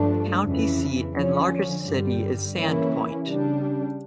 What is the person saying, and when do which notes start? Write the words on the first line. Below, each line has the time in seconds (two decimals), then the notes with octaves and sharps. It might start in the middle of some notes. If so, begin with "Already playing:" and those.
The county seat and largest city is Sandpoint.
Already playing: G2 F3 A3 D4
0.43 F2 C#3 E3
1.14 D3 F3 C#4
1.85 G2 D3 G3
2.55 C#3 E3 A#3 C#4 E4
3.26 C#3 G3 D4